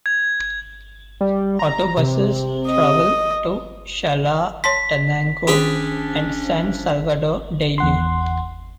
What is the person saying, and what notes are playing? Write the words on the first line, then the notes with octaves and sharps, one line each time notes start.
Autobuses travel to Chalatenango and San Salvador daily.
G#6
G3
A#5
C3
D#5
C#5 A5 C6 B6
D#3 F3 C#4 D4 G4 G#4 B5
E2 F#5 C6